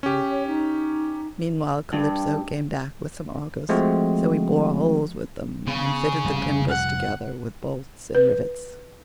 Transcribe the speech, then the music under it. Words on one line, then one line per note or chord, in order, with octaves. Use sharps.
Meanwhile Calypso came back with some augers, so he bored holes with them and fitted the timbers together with bolts and rivets.
C#3 C#4 G4
C#5
D#4
G2
F3 G#3 A3 C4 F#4
C#3 B3
F1 G3
F#5
B4